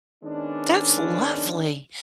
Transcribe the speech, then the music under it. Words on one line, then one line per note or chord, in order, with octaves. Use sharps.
That's lovely.
D#3 G#3 B3 C#4 D4